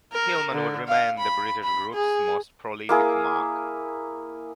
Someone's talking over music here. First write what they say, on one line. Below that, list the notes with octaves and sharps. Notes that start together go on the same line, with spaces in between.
Hillman would remain the British group's most prolific marque.
A#4
D3
F5
B5
B5
G#4
A#3 E4 G#4